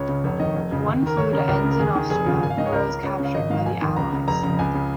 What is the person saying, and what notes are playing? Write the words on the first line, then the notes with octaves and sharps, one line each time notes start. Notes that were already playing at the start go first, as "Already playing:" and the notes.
One flew to Enns in Austria, where it was captured by the Allies.
Already playing: C#2 C#5
C#3
F1 C#5
D#2 D#3 D#5
F1
F2 C#3
D#2
D#3 A#4
D#2 C#5
C#5
C#3 A#4
C#2 A#4
C#3
A#4
D#2 G#4
D#3
F1 G#4
D#2 C#3 F4
G#1 G#5
F5
G#2 D#3 D#5
C#5
C#2 A#4
C#3
C#2 C#5
C#3
F5
G#1 D#5
G#2 D#3 F5
F1 G#5
D#2 D#3
C#2 A#5
C#3
F1 A#5
F2 C#3 A#5
C#2 G#5
C#3